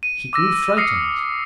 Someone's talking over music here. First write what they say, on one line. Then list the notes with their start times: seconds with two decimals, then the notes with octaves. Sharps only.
He grew frightened.
0.03 D#7
0.33 D6 E6 A#6
0.77 D#6 F6 A#6 C7 C#7 D#7